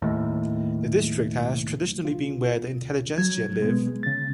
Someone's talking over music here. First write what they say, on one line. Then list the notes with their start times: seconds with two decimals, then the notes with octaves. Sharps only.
The district has traditionally been where the intelligentsia live.
0.02 D#2 A2
2.05 C2 F4
2.81 D2
3.18 F#3 G#6
3.45 C2
3.60 B2 G#3 B3
4.03 C#3 A6